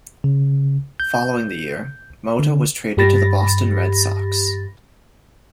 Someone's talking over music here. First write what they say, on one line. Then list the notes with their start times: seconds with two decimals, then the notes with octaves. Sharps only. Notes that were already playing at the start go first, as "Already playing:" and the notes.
Following the year, Mota was traded to the Boston Red Sox.
0.24 C#3
1.00 G6
2.39 D3
2.97 G2 G4 B5 A6 A#6